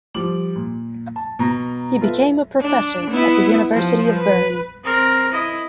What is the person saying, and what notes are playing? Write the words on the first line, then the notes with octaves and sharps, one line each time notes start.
He became a professor at the University of Bern.
F3 G3 D6 F#7
A#2
A5
B2 A#5 A#6
F4 A4 B4 E5
D4
B3 E4
F3
B4
C4 A#4
E4 D#5